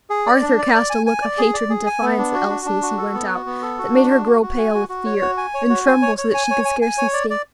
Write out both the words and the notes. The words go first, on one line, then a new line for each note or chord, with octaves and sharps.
Arthur cast a look of hatred and defiance at Elsie as he went out, that made her grow pale with fear and tremble so that she could scarcely stand.
G#4
D5
D4
D5
D5
G#5
G#5
D5
G#4
D5
G#4
G#5
B3
D4
F#4
D4
D4
F#4
A4
B3
F#4
B3
A4
F#4
D4
F#4
F#4
F#4
G#5
F#4
F#4
C#5
F#4
G#5
C#5
F#4
G#5
C#5
C#5
G#5
C#5
G#5
G#5
C#5
D5
D5